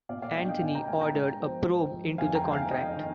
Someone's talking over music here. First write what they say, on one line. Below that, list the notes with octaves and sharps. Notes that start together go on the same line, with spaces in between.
Antony ordered a probe into the contract.
A#2 D5 F5
D5 F5
G#3 D4 D#5 G5
D#5 G5
A#2 F5 G#5
G5 A#5
G#3 D4 F5 G#5
G5 A#5
G#2
F3 C4
G#2
F3 C4
F2 F5 G#5
G5 A#5
D#3 G#3
F5 G#5
F2 D#5 G5
D#3